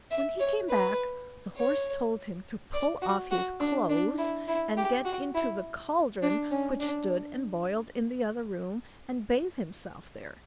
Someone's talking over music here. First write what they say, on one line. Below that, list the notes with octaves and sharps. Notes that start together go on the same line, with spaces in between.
When he came back, the Horse told him to pull off his clothes and get into the cauldron which stood and boiled in the other room, and bathe himself there.
E5
C#5
B4
C#5
D5
F#4
F#4
D4
D4
E4
E4
G4
F#4
E4
D4
C#4
D4